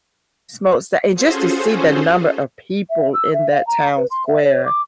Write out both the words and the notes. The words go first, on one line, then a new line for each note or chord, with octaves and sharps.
smo that and just to see the number of people in that town square.
C#4 F4 F#4 G#4 A4 C5
E5
E6
E5
F5
A#5
B4
C6
E5
C#5
D6